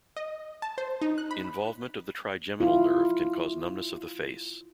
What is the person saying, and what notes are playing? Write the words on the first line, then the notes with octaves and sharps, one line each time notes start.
Involvement of the trigeminal nerve can cause numbness of the face.
D#5
A5
C5
D#4
F#6
B5
E4 F4